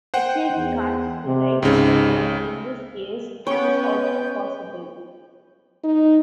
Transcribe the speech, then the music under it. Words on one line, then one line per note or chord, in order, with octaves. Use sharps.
Exchanging cards to their rightful rows in this case is also possible.
C5 F#5 G5
E2
C3
C#2 G#2 C#3
B3 C#4 C#5 G5
D#4